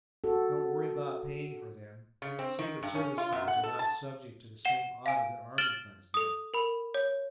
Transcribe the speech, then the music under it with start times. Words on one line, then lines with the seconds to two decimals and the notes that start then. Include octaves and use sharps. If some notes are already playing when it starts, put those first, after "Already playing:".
Don't worry about paying for them: secret service funds are not subject to the same audit that army funds get.
0.24 F#4 A4
2.22 C#3
2.39 C4
2.59 D#3
2.83 G2
2.95 C#4
3.18 F4
3.32 F#2
3.48 F#5
3.63 A4
3.79 A5
4.65 F#5 E7 G7
5.06 F5 G#5
5.58 F6 A6 D7 E7 F#7 G7
6.14 A4 D#6
6.54 A#4 B5
6.94 C#5